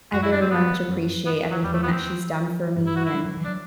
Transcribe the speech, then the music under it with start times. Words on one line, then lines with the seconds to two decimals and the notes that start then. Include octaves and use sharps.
I very much appreciate everything that she's done for me and,
0.13 F#2 F#3 F#4
0.23 E4
0.32 D4
0.41 C4
0.51 B3
0.89 F#2 F#3
1.26 B3
1.51 F#3
1.63 E2 E3 G3
1.73 A3
1.83 B3
1.92 C4
2.76 G2 G3
2.86 E4
2.96 F#4
3.05 E4
3.14 G3
3.25 F#3
3.37 E3
3.44 D4
3.48 F#3